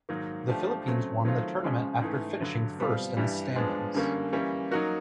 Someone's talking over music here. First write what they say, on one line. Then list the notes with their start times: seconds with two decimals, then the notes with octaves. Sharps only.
The Philippines won the tournament after finishing first in the standings.
0.09 G#2 D#3 F#3 A#3
0.48 F3 A3 D4 G4
0.87 C#3 F#3 A3 C4
1.25 D#3 F#3 A3 C4 F4
1.63 C#3 F3 G#3 C#4
2.02 G#2 E3 A3
2.40 G2 D3 F#3
2.79 B2 G3 C4 F4
3.17 G2 E3 G3
3.56 F3 G#3 B3 D4
3.94 F#2 D3 G3 A#3 C#4
4.33 E3 G3 A#3 C#4
4.71 F#3 A#3 D#4 F#4 A#4